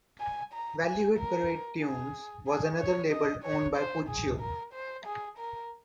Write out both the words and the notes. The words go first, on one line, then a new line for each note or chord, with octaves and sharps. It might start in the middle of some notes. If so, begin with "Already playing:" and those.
Value Hit Parade Tunes was another label owned by Puccio.
G#5
A#5
G#5
A#4
G#4
G#4
C#5
D#5
C#5
C5
G#4
A#4
C5
G#4
A#4